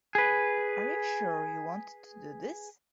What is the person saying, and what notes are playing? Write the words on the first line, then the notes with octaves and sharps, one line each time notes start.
Are you sure you want to do this?
G#4 B4